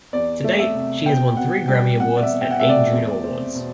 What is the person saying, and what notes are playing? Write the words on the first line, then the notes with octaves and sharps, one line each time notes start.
To date, she has won three Grammy Awards and eight Juno Awards.
E2 D5
A3
E5
C3
B2 G5
B2 F#5
G3 G5
B2 F#5
D5
E5
B2
G5
F#5
A3 E5
D5
E2
C4
B2